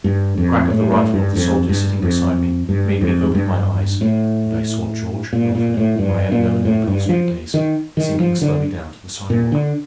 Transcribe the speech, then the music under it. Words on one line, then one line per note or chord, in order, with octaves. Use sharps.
The crack of the rifle of the soldier sitting beside me made me open my eyes, and I saw George Milford, whom I had known in the Pell Street days, sinking slowly down to the sidewalk.
G2
F2
A2
A2
G2
F2
G2
F2
G2
F2
G2
A2
A#2
A#2
A2
G2
A#2
A2
G2
F3
D#3
D#3
F3
D3
A#2
D3